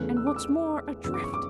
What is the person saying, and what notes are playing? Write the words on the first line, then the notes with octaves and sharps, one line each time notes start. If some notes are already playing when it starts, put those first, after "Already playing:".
And what's more,--adrift.
Already playing: E2 C#3 E3 A3 F#6
E6
D6
E6
F#2 C#3 E3 B3 E6
D6
C#6
D6